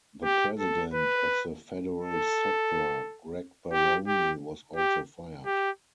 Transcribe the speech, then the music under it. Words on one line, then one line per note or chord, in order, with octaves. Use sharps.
The president of the federal sector, Greg Baroni, was also fired.
G4
A4
B4
A4
G4
G4
G4
G4